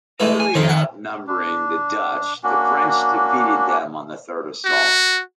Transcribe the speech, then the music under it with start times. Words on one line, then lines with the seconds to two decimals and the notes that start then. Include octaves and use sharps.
Heavily outnumbering the Dutch, the French defeated them on the third assault.
0.20 E3 G#3 A3
0.40 G#5
0.55 F2 D#3 C4
0.69 D#3 F#5
1.27 D4
2.44 A#3 C#4 D4 F#4
4.65 F#4